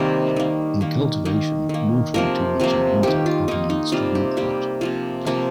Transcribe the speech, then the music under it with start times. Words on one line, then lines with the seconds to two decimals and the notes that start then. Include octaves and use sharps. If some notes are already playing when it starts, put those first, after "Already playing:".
In cultivation, watering too much in winter often leads to root rot.
Already playing: C3 D#3 G3 A#3 A#4
0.36 D#3 A#3
0.81 D#3 A#3
1.25 D#3 A#3
1.69 D#3 A#3
2.14 C3 F3 A#3 A#4
2.60 C3 F3 A#3
3.03 D#3 A#3 G4
3.26 F4
3.48 D#3 A#3 D#4
3.70 D#4
3.92 C3 G3 A#3 F4
4.15 G4
4.37 C3 G3 A#3 G4
4.81 C3 F3 A#3 F4
5.26 C3 F3 A#3